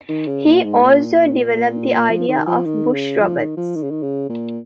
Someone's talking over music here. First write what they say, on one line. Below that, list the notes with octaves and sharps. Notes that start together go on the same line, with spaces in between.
He also developed the idea of bush robots.
D#3
C#3
A#2
G#2
A#2
F3
D#3
F3
D#3
C#3
F3
D#3
F3
D#3
C#3
D#3
C#3
A#2